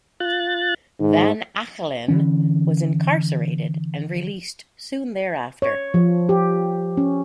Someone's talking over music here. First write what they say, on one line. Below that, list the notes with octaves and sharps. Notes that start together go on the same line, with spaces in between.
Van Achelen was incarcerated and released soon thereafter.
F4 F#6 A6
G#2 D#3
D3 E3 C#4
C#5
F3
G4
C#4